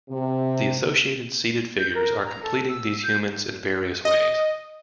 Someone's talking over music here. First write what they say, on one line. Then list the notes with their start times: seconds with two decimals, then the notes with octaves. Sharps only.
The associated seated figures are completing these humans in various ways.
0.11 C3
1.76 G6
1.95 A#4
2.26 A#5
2.42 A4
2.68 E6
3.02 G6
4.05 D#5